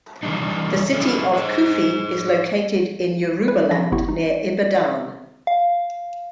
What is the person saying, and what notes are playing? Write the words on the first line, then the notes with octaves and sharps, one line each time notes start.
The city of Kufi is located in Yorubaland near Ibadan.
D#3 E3 G3 D4 D#4
A3 C#4 E4 G#4 A4
G#4 C5
B4
F3 E5 F5 A#6
G1 B3 E4 G4 C#6
D#4
F5